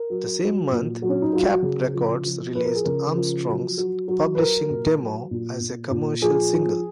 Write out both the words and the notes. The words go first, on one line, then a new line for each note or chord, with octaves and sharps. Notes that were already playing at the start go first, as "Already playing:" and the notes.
The same month, Kapp Records released Armstrong's publishing demo as a commercial single.
Already playing: A#4
F#3
F#3
A#2
F#3
C#4
D#4
F#3 F4
F#4
C#3 G#4
F3
F3
F3 B4
A#4
G#4
C#3 A#4
F3
F#3
F#3
F#3
B4
F#3 A#4
A#2
F#3
A#2
A#2
A#2
F3 G#4
F3